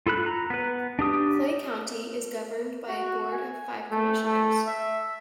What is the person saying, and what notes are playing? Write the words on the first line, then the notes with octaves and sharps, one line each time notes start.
Clay County is governed by a board of five commissioners.
F4 A4 B5 F#6
A#5
B3 B4
D4 G4 D#6
F#4
G#5
A3
A3
E5